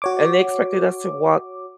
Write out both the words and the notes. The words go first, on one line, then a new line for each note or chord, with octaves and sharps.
and they expected us to walk
F#4 C#5 D6